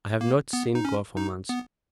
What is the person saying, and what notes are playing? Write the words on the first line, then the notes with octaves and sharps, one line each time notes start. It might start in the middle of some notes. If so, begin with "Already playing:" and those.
"I have not seen Gore for months."
A#3
B3
D#4
C#4
D#4
B3